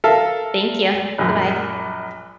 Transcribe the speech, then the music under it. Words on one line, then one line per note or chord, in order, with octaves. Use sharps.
Thank you. Goodbye.
A4 A#4 E5 F5
A#1 F#2